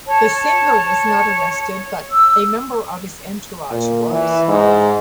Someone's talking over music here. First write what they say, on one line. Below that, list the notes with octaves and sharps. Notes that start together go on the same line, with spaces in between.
The singer was not arrested, but a member of his entourage was.
C#5 A5
E6
A#2
E3
G#2